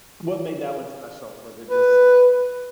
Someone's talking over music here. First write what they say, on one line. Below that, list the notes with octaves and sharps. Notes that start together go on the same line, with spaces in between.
What made that one special? Was it just
B4